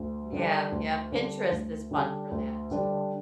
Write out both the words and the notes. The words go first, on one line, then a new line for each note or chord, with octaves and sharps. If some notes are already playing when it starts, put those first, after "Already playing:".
Yeah. Yeah, Pinterest is fun for that too.
Already playing: D2
D3 G3 D4
D2
D3 G3 D4
D2
D3 G3 D4
D2
D3 G3 D4